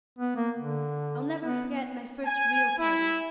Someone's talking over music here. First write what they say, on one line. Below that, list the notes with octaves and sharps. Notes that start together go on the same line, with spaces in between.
I'll never forget my first real party.
B3
A#3
D3
B3
G#5
E4